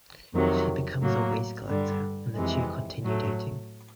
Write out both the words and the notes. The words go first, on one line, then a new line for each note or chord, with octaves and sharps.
She becomes a waste collector and the two continue dating.
F2 C3 D#3 F#3
A2 F#3 A#3
G2 D3 G3
F2 C3 E3 G#3
A2 F#3 A3